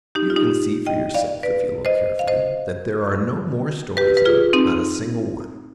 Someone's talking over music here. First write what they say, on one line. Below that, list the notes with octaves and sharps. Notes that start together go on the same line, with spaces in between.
You can see for yourself, if you look carefully, that there are no more stories in it; not a single one.
D#4 G4
F4
D#4 G4
D#5 G5
D5 F5
B4 D5
C5 D#5
F5
C5 D#5
G4 B4
B4
F4 G#4
C4 D#4